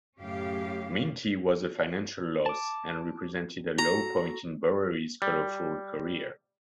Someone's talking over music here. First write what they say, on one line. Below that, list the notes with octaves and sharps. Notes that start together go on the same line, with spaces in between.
Minty was a financial loss and represented a low point in Bowery's colourful career.
F#2 A2 C#3 C#4 G4 F5
A5 D6
F#4 A4 A#5
G3